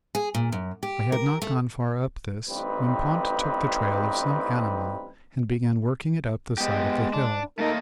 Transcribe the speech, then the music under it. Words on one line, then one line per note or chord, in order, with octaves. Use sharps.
I had not gone far up this when Pont took the trail of some animal and began working it up the side of the hill.
G#4
A#2
F#2
G4
A#4
A3
A1 G2 C4 D#4 B4
G#3 B3 G4
D4
A3 A#3 D#4 A4 A#4 D#5